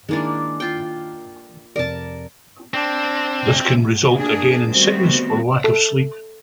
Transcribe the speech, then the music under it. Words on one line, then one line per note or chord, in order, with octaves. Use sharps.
This can result, again, in sickness or lack of sleep.
D#3 G#3 A#3 D4 E4
F4 G5
F1 A#4 D5 A5
C4 D4
A#3 D4 G#4
D#3 G3 A3 B3 C4 F#4
A4